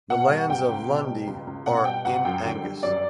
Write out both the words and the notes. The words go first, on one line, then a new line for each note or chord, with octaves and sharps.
The lands of Lundie are in Angus.
B2 F#5
G3 F#5
C#2 G5
C#2
B2
G3
C#2
C#2
B2 F#5
G3 G5
C#2 F#5
F#2 G5
D3
G3
F#2 D5